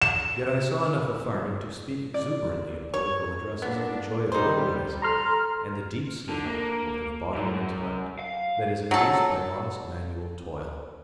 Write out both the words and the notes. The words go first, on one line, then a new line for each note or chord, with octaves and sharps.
Yet I saw enough of farming to speak exuberantly in political addresses of the joy of early rising and the deep sleep, both of body and intellect, that is induced by honest manual toil.
E7
D5
C#5
A#3 B3 D4
G3 D#4 C5
A4 A#5 C6 F6
D3
A#3
F#2
F5
F#3 A4